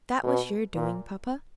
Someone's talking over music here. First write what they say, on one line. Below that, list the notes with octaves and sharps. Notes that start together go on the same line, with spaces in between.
That was your doing, papa.
B2
A#2